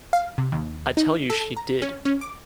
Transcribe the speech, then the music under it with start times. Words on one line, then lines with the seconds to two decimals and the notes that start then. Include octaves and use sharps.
I tell you she did.
0.13 F5
0.38 C3
0.52 D#2
0.97 D#4
1.30 A4
1.57 A#5
1.82 C#4
2.05 C#4
2.21 D6